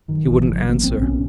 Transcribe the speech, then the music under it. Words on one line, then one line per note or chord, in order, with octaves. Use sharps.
He wouldn't answer.
F#2 D#3
G#1 E3
C#3 F3
F#3
G#1 A#3
B1 C4
B2 C#4